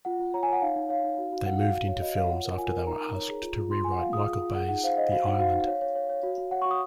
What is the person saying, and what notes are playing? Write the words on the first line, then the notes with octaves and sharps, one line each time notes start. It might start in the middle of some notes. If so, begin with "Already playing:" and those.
They moved into films after they were asked to rewrite Michael Bay's The Island.
F4 F#5
F4
C#5 A#5
G#5
C#5
F#5
D#4 F5
D#4
C#5 F5
D#4
F#4
F#4
F#4 F#5
F#4 F5
F#4
C#5
F#4 D#5
C#5 F5
F4 F#5
A#4
F4 G#5
A#4
D#4 A#5
D#4
C#5
G#4
F4
F4
F4 C6
F4 G#5
F#5
F4 F5
G#4 D#6
F4
F4
G#4 F#5
D#4 F#5
C5 F5
C5 D#5
F#4 F5
D#4 F#5
F#4 F5
D#4
C#5
C#5
C#5
C#5
F#4
F#4
C#5 F#5
C#6
F#4
D#6